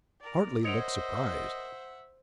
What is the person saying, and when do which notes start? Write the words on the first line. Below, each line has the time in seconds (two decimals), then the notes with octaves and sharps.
Hartly looked surprised.
0.21 A#4 D5
0.64 A#4 C5 C#5 D#5 E5 F#5